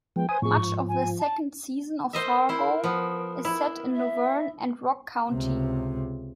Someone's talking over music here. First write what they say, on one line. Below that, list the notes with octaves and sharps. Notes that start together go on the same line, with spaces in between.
Much of the second season of "Fargo" is set in Luverne and Rock County.
F3 G#3 B3 G5
B4 C5 G#5 D#6
A2 F3 G#4 C#6
G#2
G#5
A5
A#4 C5 D#5 E5
E4 C5
F3 B3
E4
E5
C#2 C3